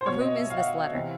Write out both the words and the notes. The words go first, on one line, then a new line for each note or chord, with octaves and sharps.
"For whom is this letter?"
C5
B2 C#5
D#5
E5
F5
F#5
F5
C3 E3